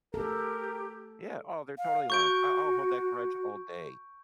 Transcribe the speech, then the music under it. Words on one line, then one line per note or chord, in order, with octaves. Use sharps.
Yeah, oh, they're totally lying I I'll hold that grudge all day,
G4 A4 A#4
F5
F#4 C#6 G6 D7